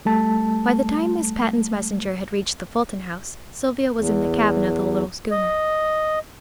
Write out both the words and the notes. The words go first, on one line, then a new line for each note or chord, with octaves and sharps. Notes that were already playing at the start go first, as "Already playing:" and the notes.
By the time Miss Patten's messenger had reached the Fulton house Sylvia was in the cabin of the little schooner.
G3 A3 A5
E2
D#5